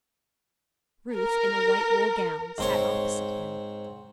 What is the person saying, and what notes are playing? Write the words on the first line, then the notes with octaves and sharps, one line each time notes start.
Ruth, in a white wool gown, sat opposite him.
A#4
G#2 C4 C#5